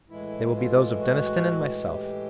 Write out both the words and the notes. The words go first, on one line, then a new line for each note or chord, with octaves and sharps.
They will be those of Deniston and myself.
A2 E3 G#3 E4
F4
F#4
G4